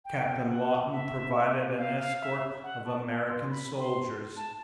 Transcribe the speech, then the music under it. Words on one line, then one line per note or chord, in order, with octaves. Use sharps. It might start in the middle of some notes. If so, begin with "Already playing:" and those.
Captain Lawton provided an escort of American soldiers.
G5
F#5
E5
F5
F5
E5
F#5
A5
C6
B5
C6
A5